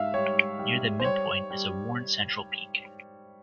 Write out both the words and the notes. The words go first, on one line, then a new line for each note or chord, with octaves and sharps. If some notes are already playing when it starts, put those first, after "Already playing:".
Near the midpoint is a worn central peak.
Already playing: G#2 E5 F5
G3 C#5
G3
C5
G3 C#5
G3